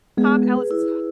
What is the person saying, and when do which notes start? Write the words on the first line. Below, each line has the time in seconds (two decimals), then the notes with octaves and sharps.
Tom Ellis is h
0.17 G#3 B3 G#4
0.43 B4
0.71 E4